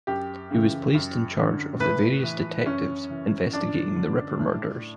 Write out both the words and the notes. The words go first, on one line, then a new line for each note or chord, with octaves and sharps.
He was placed in charge of the various detectives investigating the Ripper murders.
F#2 G4
C#3 E3
F#2
D3
A2 B4
E3
F#2 C#4
E3
F#2 D4
D3
A2